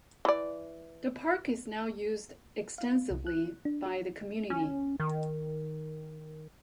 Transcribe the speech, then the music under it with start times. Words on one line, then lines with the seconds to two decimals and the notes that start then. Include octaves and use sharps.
The park is now used extensively by the community.
0.25 E3 D5
2.78 F5
3.10 C2
3.27 F#6
3.65 D4
3.86 F#4
4.50 C#4
5.00 D#3